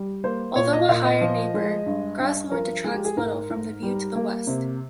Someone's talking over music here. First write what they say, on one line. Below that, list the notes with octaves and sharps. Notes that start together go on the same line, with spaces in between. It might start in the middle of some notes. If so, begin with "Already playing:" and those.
Although a higher neighbour, Grasmoor detracts little from the view to the west.
Already playing: G3
A#3 C5
A#2 C#5
D#5
A#2 F5
D#5
F3
G#3
G2
G2
F3 A#4
G#3 G#4
G4
G#4
G#2 A#4
G#2
G3
A#3
C3